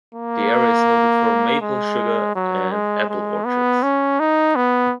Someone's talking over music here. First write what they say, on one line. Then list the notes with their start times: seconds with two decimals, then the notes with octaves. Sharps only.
The area is noted for maple sugar and apple orchards.
0.15 A#3
1.61 G#3
2.35 F#3
2.72 G#3
3.09 G#3
3.46 B3
3.83 C#4
4.20 D#4
4.56 B3